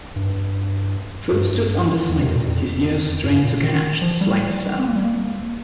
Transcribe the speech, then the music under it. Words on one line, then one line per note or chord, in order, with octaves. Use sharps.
Philip stood undecided, his ears strained to catch the slightest sound.
G2
G2
F2
C3
A#2
F2
G2
A#2
D#3
F3
G3
C4
A#3
G3
A#3